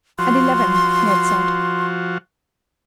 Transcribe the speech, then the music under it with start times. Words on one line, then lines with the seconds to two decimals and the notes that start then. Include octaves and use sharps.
'At eleven,' he had said.
0.19 F3 F#4 C6